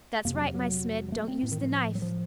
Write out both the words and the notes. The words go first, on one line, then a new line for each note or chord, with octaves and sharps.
That's right, my Smid, don't use the knife!
F2 C3 A#3
F#3
F#3
F#3
A3
C4
A2
D#3
F3
F#3
F3